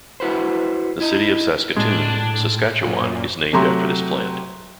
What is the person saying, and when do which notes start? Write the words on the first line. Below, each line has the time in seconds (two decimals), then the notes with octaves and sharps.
The city of Saskatoon, Saskatchewan is named after this plant.
0.20 E4 F#4 B4 C5
1.00 E4 D#5
1.76 A2 G#3 D4
2.82 F#2 A#2 E3 B3 C#4
3.53 C3 F#3 A3 G4 A#5 C6